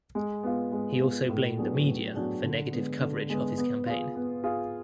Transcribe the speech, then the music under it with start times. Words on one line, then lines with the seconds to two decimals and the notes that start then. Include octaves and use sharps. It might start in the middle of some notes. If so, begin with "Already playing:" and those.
He also blamed the media for negative coverage of his campaign.
0.15 G#3
0.43 B3 F4
0.72 G#3
1.00 B3 F4
1.29 A2
1.58 F#3 B3 D4 G#4
1.86 A2
2.15 F#3 B3 D4 G#4
2.44 D3
2.72 G#3 B3
3.00 D3
3.30 G#3 B3
3.58 B3
3.86 F4 G#4
4.16 B3
4.44 F4 G#4